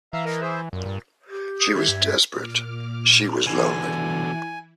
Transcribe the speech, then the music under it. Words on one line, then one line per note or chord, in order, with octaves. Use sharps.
She was desperate, she was lonely.
E3 E5 F5 A#5
A#4 D#5
G#4 C5 E5
F#2 A#2
G2
G4
D#6
D#3 E5 G#6
G2
A#2 D6 F6
B2 D3 E3 E4 G#5